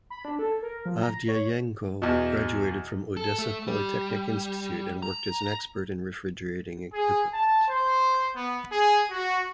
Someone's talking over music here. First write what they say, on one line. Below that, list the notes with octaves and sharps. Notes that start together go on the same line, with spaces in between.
Avdyeyenko graduated from Odessa Polytechnic Institute and worked as an expert in refrigerating equipment.
B5
D4
A4
A#4
F3
A#5
C#5
E2 B2
A4
A3
G3
A#5
G#4
A5
C5
B3
G#4
F#4